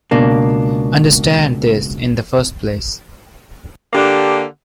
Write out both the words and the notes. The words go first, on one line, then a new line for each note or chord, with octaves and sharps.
Understand this in the first place.
C#2 B2 A#3 D4
D3 A#3 D4 G4